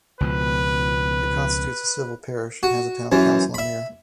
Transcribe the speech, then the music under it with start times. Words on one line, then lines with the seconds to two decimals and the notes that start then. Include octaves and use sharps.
It constitutes a civil parish, and has a town council and mayor.
0.21 C#2 B2 F3 B4
2.63 F#4
3.12 F#2 E3
3.54 E5 B5